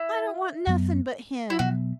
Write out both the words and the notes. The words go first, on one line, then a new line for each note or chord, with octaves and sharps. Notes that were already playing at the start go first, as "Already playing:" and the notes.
"I don't want nothing but him."
Already playing: E4
F#2 F#3 B3
E4
B2 F#3 B3 F#4